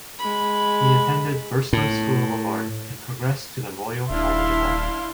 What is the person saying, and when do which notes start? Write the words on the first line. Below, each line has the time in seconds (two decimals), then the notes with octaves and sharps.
He attended Burslem School of Art and progressed to the Royal College of Art.
0.18 G#3 B5
1.73 A2
4.10 D#1 D4 E4 E5 F5 C6